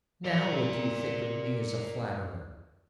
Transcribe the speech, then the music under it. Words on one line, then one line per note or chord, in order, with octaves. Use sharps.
Now what do you think of me as a flatterer?
A#4 D5